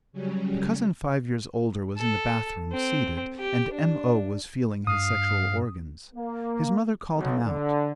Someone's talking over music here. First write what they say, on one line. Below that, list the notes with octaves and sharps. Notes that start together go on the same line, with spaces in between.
A cousin five years older was in the bathroom, seated, and M.O. was feeling his sexual organs; his mother called him out.
C#3 F#3 G3 C#4
A4
C4
G4
D4
G2 F5 D#6
A#3
B1
D3